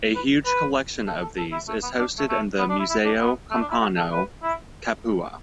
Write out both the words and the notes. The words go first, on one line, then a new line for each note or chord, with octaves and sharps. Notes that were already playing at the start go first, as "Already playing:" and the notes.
A huge collection of these is hosted in the Museo Campano, Capua.
B4
B4
A4
A4
A4
E4
A3
B3
D4
A3
A3
B3
D4
E4
E4
D4
B3
A3
D4
E4
F#4
A4
B4
E4